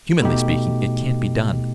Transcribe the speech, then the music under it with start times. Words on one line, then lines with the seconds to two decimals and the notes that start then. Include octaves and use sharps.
Humanly speaking, it can't be done.
0.22 B2 A3 D#4 G4